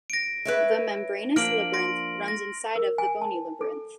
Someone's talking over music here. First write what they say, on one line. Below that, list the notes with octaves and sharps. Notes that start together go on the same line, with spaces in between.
The membranous labyrinth runs inside of the bony labyrinth.
A#6 D7
B4 C#5 E5
F3 A#3 D4 F6 D7 F#7
C6 A#6 D7
A#6
A#4
G#5
A5
A4